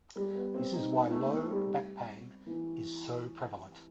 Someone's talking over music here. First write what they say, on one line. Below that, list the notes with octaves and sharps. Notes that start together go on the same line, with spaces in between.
This is why low back pain is so prevalent.
G3
B3
C4
D#4
B3
A3
A3
G3
E3